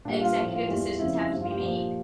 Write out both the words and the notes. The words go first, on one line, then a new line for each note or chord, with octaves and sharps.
executive decisions have to be made,
A#2 G3 D4
F4
A2 F3
F4
E2 E3 G3
F2 C#3 F3 E4
E4
G2 F3
F4
G4
A#2 F3